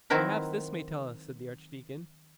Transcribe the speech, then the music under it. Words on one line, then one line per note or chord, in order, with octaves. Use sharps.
"Perhaps this may tell us," said the Archdeacon.
D#3 F#3 C4 E4 A#4 B4